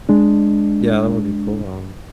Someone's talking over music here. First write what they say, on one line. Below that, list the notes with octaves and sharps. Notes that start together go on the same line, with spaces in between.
Yeah, that would be cool, um,
G#3 D4